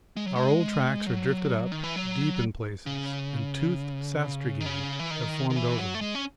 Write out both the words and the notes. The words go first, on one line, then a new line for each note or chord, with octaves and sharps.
Our old tracks are drifted up, deep in places, and toothed sastrugi have formed over them.
G#3
F#3
G#3
F#3
D#3
E3
F#3
C#3
D#3
C#3
E3
D#3
D#3
E3
F#3
A3
G#3
C#4